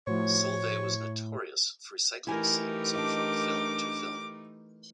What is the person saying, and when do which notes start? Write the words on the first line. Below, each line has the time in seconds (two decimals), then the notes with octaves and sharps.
Solvay was notorious for recycling scenes from film to film.
0.07 A2 F3 A3 F#4 C5 C#5
2.27 E3 A3 D#4 E4 G4 A#4 G#5
2.96 D4 D#5 D6